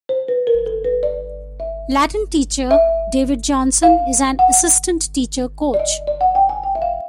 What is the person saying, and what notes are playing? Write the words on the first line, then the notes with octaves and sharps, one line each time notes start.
Latin teacher David Johnson is an assistant teacher coach.
C5
B4
A#4
A#4
A4
B4
D5
E5
E5
F5
F#5
D5
D#5
D5
F#5
G5
G#5
G5
E5
F5